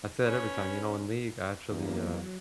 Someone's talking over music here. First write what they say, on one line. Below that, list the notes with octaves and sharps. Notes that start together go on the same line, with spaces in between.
I say it every time, you know, in League, I actually, uh,
C#4 B4 C#5
E2 F#3 A#3